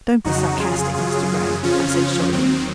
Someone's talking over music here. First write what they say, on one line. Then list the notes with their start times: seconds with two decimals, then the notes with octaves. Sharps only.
"Don't be sarcastic, Mr Grey," I said shortly.
0.24 F2 C#3 F#3 D#4 F#4
0.59 F4 G#4
0.94 F#2 C#3 F#3 F4 G#4
1.63 F2 C#3 F3 C#4 F4
2.32 D#2 D#3 F#3 C4